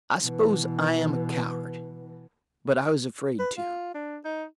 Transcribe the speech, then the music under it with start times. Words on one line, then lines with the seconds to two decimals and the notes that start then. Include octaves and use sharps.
I suppose I am a coward, but I was afraid to.
0.21 B2 E3
3.39 B4
3.57 F4
3.95 D4
4.25 D#4